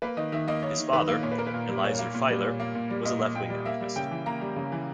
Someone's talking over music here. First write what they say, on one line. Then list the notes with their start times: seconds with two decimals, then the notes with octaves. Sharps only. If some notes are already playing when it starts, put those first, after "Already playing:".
His father, Eliezer Feiler, was a left-wing activist.
0.02 A#3 B4
0.17 D#3 D#5
0.32 D#3 E5
0.48 A#3 D#5
0.63 A#3 C#5
0.78 D#3
0.93 D#3 B4
1.08 A#3
1.23 A#2 C#5
1.31 B4
1.38 A#3 A#4
1.47 B4
1.54 A#2
1.68 G3
1.84 A#2 C#5
1.99 A#3
2.14 A#2
2.30 G3
2.44 A#2
2.60 A#3
2.75 A#2
2.90 G3
3.05 A#2 D#5
3.20 A#3
3.35 A#2 G5
3.50 G3
3.65 A#3 E5
3.81 G3
3.96 C#3 G5
4.11 E3
4.26 A#3 A#5
4.41 G3
4.56 C#3
4.72 E3